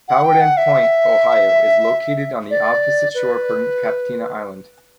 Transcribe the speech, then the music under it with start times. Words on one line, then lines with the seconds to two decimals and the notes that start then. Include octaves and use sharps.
Powhatan Point, Ohio is located on the opposite shore from Captina Island.
0.08 F#5
0.24 G5
0.41 F#5
0.57 E5
2.50 D5
3.15 B4